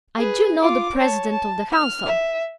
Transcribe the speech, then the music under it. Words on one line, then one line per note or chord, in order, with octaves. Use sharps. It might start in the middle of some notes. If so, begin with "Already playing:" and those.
I DO know the President of the Council.
G#4 B4
F4 D6
C#5 A5
A5
F6
E5